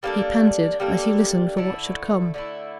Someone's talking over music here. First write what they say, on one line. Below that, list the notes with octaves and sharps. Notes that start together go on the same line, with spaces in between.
He panted as he listened for what should come.
G3 A#3 D4 A4
G3 A#3 D4 A4
D3 A3 E4
D3 A3 E4